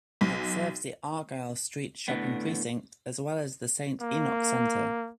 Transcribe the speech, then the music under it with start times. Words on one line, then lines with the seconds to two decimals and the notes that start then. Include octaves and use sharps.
It serves the Argyle Street shopping precinct as well as the Saint Enoch Centre.
0.21 B1
2.08 A2 D3 B3
4.01 A#3